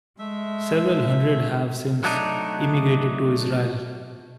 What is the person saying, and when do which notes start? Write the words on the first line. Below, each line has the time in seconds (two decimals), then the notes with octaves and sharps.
Several hundred have since emigrated to Israel.
0.19 G#3 A3 E5
2.04 F#3 A3 D4 D#4